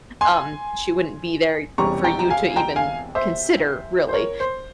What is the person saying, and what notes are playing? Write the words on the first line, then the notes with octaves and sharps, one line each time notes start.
um, she wouldn't be there for you to, even consider, really.
G#5 C6
E1 E2 C3 G3 C#4 A#5 C#6
G5 A#5
A#5
F5 G#5
G5 A#5
F5 G#5
C5 E5
C5
A#4 C#5
C5